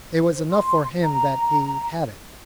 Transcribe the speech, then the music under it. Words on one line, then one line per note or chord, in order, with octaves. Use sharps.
It was enough for him that he had it.
C5
C6
A#5